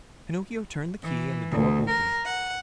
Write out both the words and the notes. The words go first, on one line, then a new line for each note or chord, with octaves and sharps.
Pinocchio turned the key and the door opened.
E3
D2
A#4
F#5